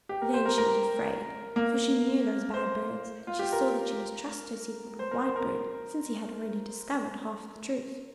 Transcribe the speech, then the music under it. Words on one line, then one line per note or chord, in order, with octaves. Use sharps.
Then she was afraid, for she knew those bad birds; and she saw that she must trust her secret with Whitebird, since he had already discovered half the truth.
G4
A#4
C5
A#4
A#4
A#3
C5
F4
G4
A#4
C5
A#4
C5
A#4